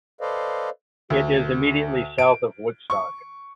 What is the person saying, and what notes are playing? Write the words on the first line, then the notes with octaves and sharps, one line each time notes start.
It is immediately south of Woodstock.
A4 B4 C5 D5 D#5 F5
D2
D7
C#6